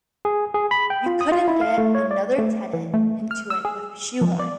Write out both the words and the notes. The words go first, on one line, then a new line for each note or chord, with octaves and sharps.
You couldn't get another tenant into it with a shoehorn.
G#4
G#4
B5
G5
F4
D#6
F4
E4
F5
A3
C#5
D5
A3
E3
A3
F6
E6
G#4
F3
D5